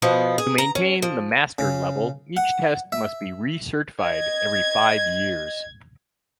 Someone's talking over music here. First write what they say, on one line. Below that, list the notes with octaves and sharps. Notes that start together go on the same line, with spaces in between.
To maintain the Master Level, each test must be recertified every five years.
B2 F3 B3
G#4
A#5
C#4
F3
C#3
F#5
E5
D#5 G#6